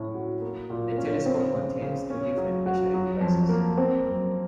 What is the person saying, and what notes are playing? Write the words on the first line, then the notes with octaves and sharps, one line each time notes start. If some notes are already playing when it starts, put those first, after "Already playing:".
The telescope contains two different measuring devices.
Already playing: A2 C#4
F#4
A#3
A#2
C#4
C4
C#3
C#3
C#4
F#3
F#4
F#3
F2
A#3
C4
F#2